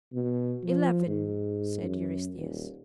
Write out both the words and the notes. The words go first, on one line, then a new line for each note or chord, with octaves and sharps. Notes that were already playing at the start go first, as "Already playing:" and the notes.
"Eleven," said Eurystheus.
B2
F3
G#2
F#2
D#1